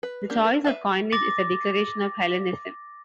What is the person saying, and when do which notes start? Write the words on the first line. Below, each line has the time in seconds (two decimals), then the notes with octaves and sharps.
The choice of coinage is a declaration of Hellenism.
0.03 B4
0.30 A#3 D4 G4
0.45 A#4
0.64 B4 E5 F5 A5
1.12 D6 A6 A#6